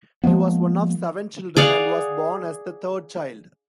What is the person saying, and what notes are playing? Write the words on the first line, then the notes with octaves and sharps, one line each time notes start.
He was one of seven children and was born as the third child.
F3 G#3 A#3 B3
G#4 D5 F5 F#5